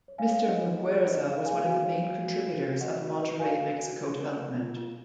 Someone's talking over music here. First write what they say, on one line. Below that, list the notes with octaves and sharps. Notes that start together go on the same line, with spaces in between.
Mr. Muguerza was one of the main contributors of Monterrey, Mexico development.
C#5
F5 G#5
C#5
D#4 D#5 F#5
D#4
D#5 F#5
G#4
D#4 D#5
D#4 F5
G#4 F5 G#5
F#4 F5 G#5
C#5
F#4
F#4
F#4
F#4
F#4 D#5 F#5
F#4
D#5 F#5
B4
F#4 F5 G#5
B4
F#4
F4
A#4
A#4
F4
F4